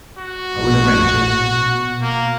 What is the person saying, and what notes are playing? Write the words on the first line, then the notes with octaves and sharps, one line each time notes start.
'I will arrange it.
F#4
A#1 A2
B2
A#3